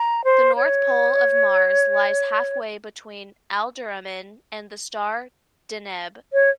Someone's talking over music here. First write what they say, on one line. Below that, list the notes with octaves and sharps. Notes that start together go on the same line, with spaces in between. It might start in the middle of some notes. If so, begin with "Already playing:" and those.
The north pole of Mars lies halfway between Alderamin and the star Deneb.
Already playing: A#5
C5
C#5
C#5